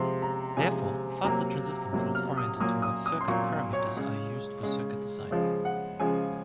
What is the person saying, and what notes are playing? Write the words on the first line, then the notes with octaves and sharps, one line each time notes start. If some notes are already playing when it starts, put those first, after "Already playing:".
Therefore, faster transistor models oriented toward circuit parameters are used for circuit design.
Already playing: C3 F3 G#3 C6
A#5
C3 F3 G#3 G#5
C3 F#3 A#3 A#5
C3 F#3 A#3
F6
D#6
A#2 F#3 A#3 D#6
D#6
D#6
C6
A#2 F#3 A#3 C#6
C#5
C#3 G#3
C#3 G#3
C#3 F3 G#3
F#5
C#3 F3 G#3 G#5